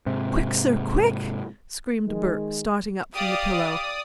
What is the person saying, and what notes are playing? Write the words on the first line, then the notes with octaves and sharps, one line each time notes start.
"Quick, sir--quick!" screamed Burke, starting up from the pillow.
G#2 C3
D#3 G#3
G4 D5 F5 D#6